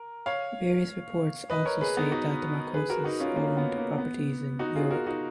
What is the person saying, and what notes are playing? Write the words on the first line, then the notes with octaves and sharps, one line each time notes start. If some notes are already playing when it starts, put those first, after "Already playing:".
Various reports also state that the Marcoses owned properties in Europe.
Already playing: A#4
C#5 F5
B4 D#5
A#4 C#5
G#4 B4
B3 D#4
D#4 F#4
G#4 B4
F#4 A#4
D#4 F#4
C#4 F4
A#3 C#4
B3
A#3
B3
D#4 F#4
F4 G#4
F#4 A#4
D#4 F#4